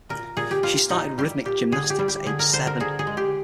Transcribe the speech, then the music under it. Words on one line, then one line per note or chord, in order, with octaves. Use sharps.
She started rhythmic gymnastics at age seven.
A#2 A#4
A#2 G#4
G4
A#2 F4
A#2 D#4
G3 G4
A#2 G4
D3 G#4
G4
G3
G4
D3 G#4
A#4
D3 C5
A#4
D3 G#4
G#4
G#3
G4